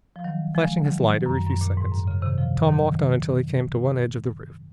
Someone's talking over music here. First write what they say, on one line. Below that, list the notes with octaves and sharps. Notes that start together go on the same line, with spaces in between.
Flashing his light every few seconds, Tom walked on until he came to one edge of the roof.
F3
D#3 F#3
F3 G#3
D#3 F#3
F#2
F#2
A#2
G#2
F#2
C#3
C3 D#3
C#3 F3
D#3 F#3